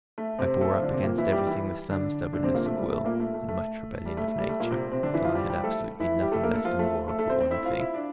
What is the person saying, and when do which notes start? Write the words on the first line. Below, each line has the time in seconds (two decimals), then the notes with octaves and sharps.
I bore up against everything with some stubbornness of will and much rebellion of nature, till I had absolutely nothing left in the world but one thing.
0.18 A3
0.38 C3 C4
0.61 A3 A4
0.71 F3 F4
0.82 D3 D4
0.93 C3 C4
1.03 A#2 A#3
1.18 E3 E4
1.32 G3 G4
1.47 E3 E4
1.90 D3 D4
2.33 D3 D4
2.44 C3 C4
2.54 A#2 A#3
2.66 A3
2.77 G3
2.91 A3
3.04 A#2 A#3
3.20 A3
3.34 A3
3.48 A3
4.06 G3
4.17 A3
4.28 A3
4.38 G3
4.49 A3
4.60 A#2 A#3
4.71 C3 C4
4.92 C3 C4
5.03 D3 D4
5.14 E3 E4
5.24 F3 F4
5.35 G3 G4
5.49 G3 G4
5.64 A3 A4
6.00 E3 E4
6.22 G3 G4
6.32 A3 A4
6.43 A#3 A#4
6.54 A3 A4
6.65 F3 F4
6.79 A3 A4
7.08 A3 A4
7.19 A3 A4
7.30 C4 C5
7.40 C4 C5
7.51 E4 E5
7.65 F4 F5
7.80 E4 E5
7.94 D4 D5